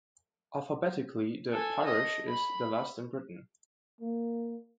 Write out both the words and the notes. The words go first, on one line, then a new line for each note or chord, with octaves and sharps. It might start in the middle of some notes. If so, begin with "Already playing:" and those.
Alphabetically, the parish is the last in Britain.
A4 G#5
D#5
B5
A#3